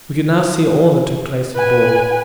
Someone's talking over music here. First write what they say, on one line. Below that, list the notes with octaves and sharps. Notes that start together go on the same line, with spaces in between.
We could now see all that took place on board.
B4 G#5